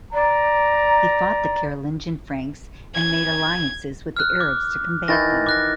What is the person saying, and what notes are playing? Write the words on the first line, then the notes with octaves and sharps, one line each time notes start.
He fought the Carolingian Franks and made alliances with the Arabs to combat them.
D5 A#5
G#6
F6 F#6
D6
D#3 E3 E4 G6 A6 A#6
D6 F#6 A#6